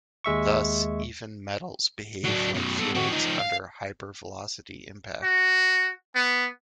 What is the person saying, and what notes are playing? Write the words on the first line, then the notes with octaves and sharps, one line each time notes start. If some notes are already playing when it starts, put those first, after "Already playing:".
Thus, even metals behave like fluids under hypervelocity impact.
D#2 G#3 E5 C#6
F#3 D4
F#2 B2
B3 A4
C4 F#4
F3 D#4
F5
F#4
B3